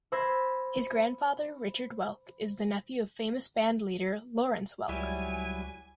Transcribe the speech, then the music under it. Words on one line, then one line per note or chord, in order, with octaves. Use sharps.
His grandfather, Richard Welk, is the nephew of famous band leader Lawrence Welk.
C5 B5 E6 G#6 A#6 C7
C#2 F#3 G3 E4 G#5